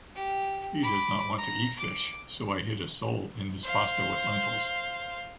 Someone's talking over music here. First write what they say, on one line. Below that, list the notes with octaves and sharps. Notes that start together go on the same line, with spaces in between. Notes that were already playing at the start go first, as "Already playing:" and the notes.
He does not want to eat fish, so I hid a sole in his pasta with lentils.
G4
B5 D6
A#5
D6
C5 F5